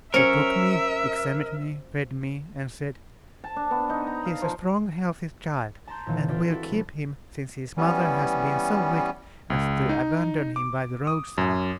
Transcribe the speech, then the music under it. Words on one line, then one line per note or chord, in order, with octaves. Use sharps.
She took me, examined me, fed me, and said: 'He's a strong, healthy child; and we'll keep him since his mother has been so wicked as to abandon him by the roadside.
F#3 C#4 A#4 C5 E5 C#7
A5
D4
B3
D#4
A#5
F5
F3
A5 A#5 C6 G6
D#1 A#2 E3 A4
C4 E4 F4 A4 B4 D5
D4 E4 F#4 A4
C3 F#3
E3 G3 B3 C#4
C#2
D#4
D6
D#6
F#2